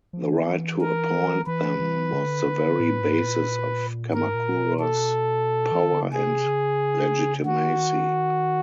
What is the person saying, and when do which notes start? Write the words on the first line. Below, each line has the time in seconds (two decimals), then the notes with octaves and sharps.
The right to appoint them was the very basis of Kamakura's power and legitimacy.
0.13 F3
0.22 E3
0.32 D#3
0.41 E3
0.80 A#4
1.47 E3 B4
1.80 E3
2.13 D3
2.47 D3
2.80 A2
3.02 G#2
3.24 A#2
4.13 G#2 A#4
4.35 A#2
4.57 B2
4.80 A4
5.72 E3
5.82 D#3
5.92 D3
6.02 C#3
6.13 C3 G#4
6.46 C#3
7.46 D#3 F#4